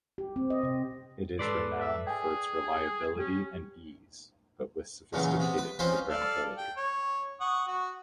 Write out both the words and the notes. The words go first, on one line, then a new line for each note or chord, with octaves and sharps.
It is renowned for its reliability and ease, but with sophisticated programmability.
G4
C4
D#5
C3
G#2 A4 B4 D5 C6
E5
G#4 G5 G#5
C#4 G4
E2 A#2 C#3 E3 F#3
C3 B3
B4
C4 C#4 D#4 F4 B4 C5
A4 D5 F5
G5
C#5
F#5 C#6 D#6
F#4